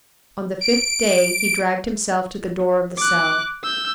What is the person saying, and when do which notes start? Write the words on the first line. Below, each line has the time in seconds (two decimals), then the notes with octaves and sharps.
On the fifth day he dragged himself to the door of the cell.
0.61 D7
2.97 D6 F#6
3.63 E6 G6